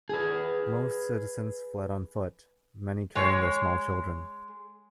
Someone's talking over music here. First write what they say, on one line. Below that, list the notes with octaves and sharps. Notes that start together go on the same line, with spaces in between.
Most citizens fled on foot, many carrying their small children.
G#4 B4
G#3 C#5